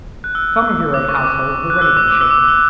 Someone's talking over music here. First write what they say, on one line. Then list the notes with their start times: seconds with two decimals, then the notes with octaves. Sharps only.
Some of your own household have already been shaken.
0.24 F#6
0.35 E6
0.94 D6
1.09 C#6
1.24 D6
1.70 F#6
1.82 E6
1.97 D6
2.08 E6
2.12 D6
2.21 E6
2.30 D6
2.41 D6
2.48 E6